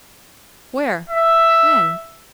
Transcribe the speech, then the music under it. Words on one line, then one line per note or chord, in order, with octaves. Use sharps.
"Where? When?"
E5